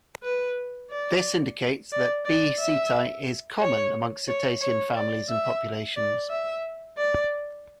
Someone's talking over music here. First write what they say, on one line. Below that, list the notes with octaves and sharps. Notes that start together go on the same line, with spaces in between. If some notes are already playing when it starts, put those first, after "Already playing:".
This indicates that "B. ceti" is common amongst cetacean families and populations.
B4
D5
D5
D5
E5
C#5
C#5
C#5
D5
E5
D5
E5
D5